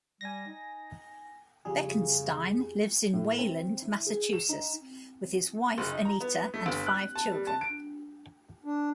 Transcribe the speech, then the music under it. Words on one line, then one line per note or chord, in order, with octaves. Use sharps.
Bekenstein lives in Wayland, Massachusetts, with his wife, Anita, and five children.
G3 G#5 A#6
D#4
F2 C#3 G3 G#4
A2
C4
E4
G#4
E7
D#4
F#1
D#4
A#5
B3
A3
G1
F#6
A5
G3
A5
D7
D4